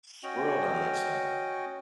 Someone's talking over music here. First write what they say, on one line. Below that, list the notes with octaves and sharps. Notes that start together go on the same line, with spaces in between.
Swirled on the inside.
C#4 F#4 D#5 G5